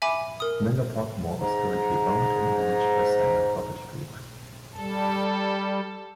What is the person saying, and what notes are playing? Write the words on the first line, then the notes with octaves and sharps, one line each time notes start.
Menlo Park Mall is currently owned and managed by Simon Property Group.
E5 G#5 B5 D6
A#4 D#6
G#2 A#5
G3 A4